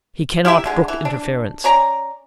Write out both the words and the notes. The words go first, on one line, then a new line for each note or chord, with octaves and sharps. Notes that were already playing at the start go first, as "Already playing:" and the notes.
He cannot brook interference.
E4 G4 A#4 E5
D3 G#3
E3
D4
C#4 D5 A#5